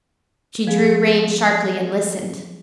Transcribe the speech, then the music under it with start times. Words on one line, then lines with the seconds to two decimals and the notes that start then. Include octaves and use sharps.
She drew rein sharply and listened.
0.67 F3 G#3 B3 G#4